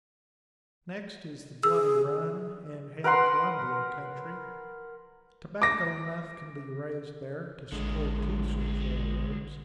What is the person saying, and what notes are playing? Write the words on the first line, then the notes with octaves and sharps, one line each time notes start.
Next is the Bloody Run and Hail Columbia country--tobacco enough can be raised there to support two such railroads.
G#4 E6
A#4 B4 F#5 C6
D6 A#6
A1 D3 G#3